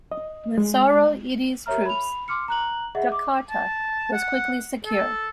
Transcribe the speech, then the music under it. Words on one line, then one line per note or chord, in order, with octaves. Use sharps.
With Sarwo Edhie's troops, Jakarta was quickly secured.
D#5
G#3
G4 A#4 C#5 E5 A#5 F6
B5 F7
C6 D6 F6 C#7
A#5 F#6 F#7
G#4 D#5 E5 F#5
D6
A5
F#5
A4